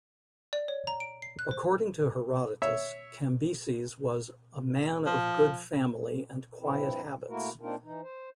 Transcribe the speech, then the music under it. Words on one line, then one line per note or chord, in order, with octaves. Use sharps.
According to Herodotus, Cambyses was "a man of good family and quiet habits".
D5
C#5
A#5
D7
C7
F#6
C5
C#5 E5
F3
G2 F3 C4 E4
A3 A#3 E4 F#4 A#4
A#3 C4 D4 D#4 F4 A#4
E3 D#4
C5